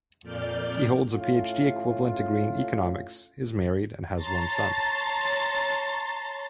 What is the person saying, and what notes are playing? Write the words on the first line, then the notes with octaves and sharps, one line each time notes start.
He holds a PhD-equivalent degree in Economics, is married, and has one son.
F2 A#2 D5 F6 G6
A2 C#4 F4
C#5 A5 A#5 C6 A6